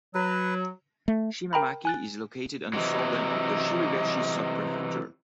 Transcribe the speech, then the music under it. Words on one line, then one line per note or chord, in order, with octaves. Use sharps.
Shimamaki is located on the southern of the Shiribeshi Subprefecture.
F#3 B4
A3
A#4 G5 A#5 B5
G#5 F#6 A6
C3 E3 F#3 D#5